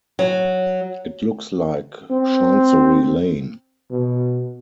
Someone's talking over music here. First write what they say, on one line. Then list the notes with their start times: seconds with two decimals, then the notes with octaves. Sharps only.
It looks like Chancery Lane.
0.19 F#3
2.10 C4
3.91 B2